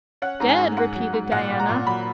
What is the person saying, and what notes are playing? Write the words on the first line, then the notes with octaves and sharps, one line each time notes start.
"Dead?" repeated Diana.
C#4 F#5
G#2 A#5
G#5
G#2
G#2 F#5
F#3
G#2
A#2 F#5
A#2
A#5
A#2
F#3 B5